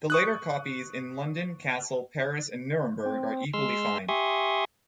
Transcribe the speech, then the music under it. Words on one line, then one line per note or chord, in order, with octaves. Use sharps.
The later copies in London, Kassel, Paris and Nuremberg are equally fine.
C#6 D#6 F#6
C4
G#3 C6 E6 F6
G4 E5 G#5 C6 C#6 D#6